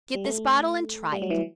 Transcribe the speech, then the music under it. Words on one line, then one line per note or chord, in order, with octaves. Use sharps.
Get this bottle and try it.
G3
A3
G3
F#3
E3